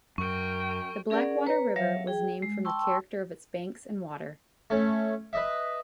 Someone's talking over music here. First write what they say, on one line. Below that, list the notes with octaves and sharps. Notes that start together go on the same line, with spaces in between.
The Blackwater River was named from the character of its banks and water.
F#2 A#4 G5 C#6
C#4 G#4 A#4 D5 F#5
B4 C#5 A#5
F#3 C#5 E5 F5
G#4 G5
G#3
G5 A5 C6 C#6 E6
A3 C#4
B4 D#5 E5